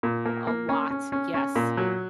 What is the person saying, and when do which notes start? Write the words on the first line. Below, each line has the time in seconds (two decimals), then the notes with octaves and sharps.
a lot, yes,
0.03 A#2
0.25 A#3
0.47 A#3
0.69 C#4
0.91 C#4
1.12 C#4
1.34 C#4
1.56 A#2
1.77 F#3